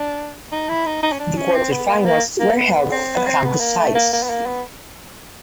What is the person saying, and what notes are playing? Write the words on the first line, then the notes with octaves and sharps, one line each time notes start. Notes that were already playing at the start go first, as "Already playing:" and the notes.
The quarterfinals were held at campus sites.
Already playing: D4
D#4
E4
D#4
D#4
C#4
D4
C#4
C4
B3
A#3
B3
A#3
A#3
B3
C4
B3
C4
B3
A#3
A3
A#3
A#3
B3
A#3
B3